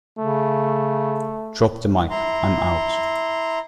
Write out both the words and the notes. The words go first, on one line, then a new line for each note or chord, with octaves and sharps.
Drop the Mic, I'm out.
C#3 A3
E4 A#5 C6